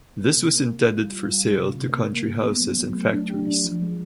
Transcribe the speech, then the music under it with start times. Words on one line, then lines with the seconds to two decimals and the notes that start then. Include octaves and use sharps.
This was intended for sale to Country Houses and factories.
0.21 A#3
0.37 C3
0.55 A#3
0.72 C3
0.89 F4
1.06 G3
1.23 F4
1.41 F4
1.57 C3
1.75 C3
1.92 A#3
2.10 A#3
2.27 C#3
2.44 B3
2.60 F#3
2.78 F#3
2.95 A3
3.13 D4
3.30 G4
3.47 D4
3.65 F3
3.82 G#3